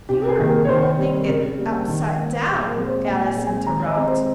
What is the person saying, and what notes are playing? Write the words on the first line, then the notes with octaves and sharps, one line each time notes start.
'You're holding it upside down!' Alice interrupted.
C3 G4
G#4
D#3 A#3 G#4
A#4
C#5
D#3 C5
G3 C4
C#3 A#4
G3 A#3
D#3
A#3
A#2 G#4
A#4
G#3 C4
C5
A#2 G5
G#5
G#3 C4
G#5
D#3 A#5
D#5
G#3 C4
C5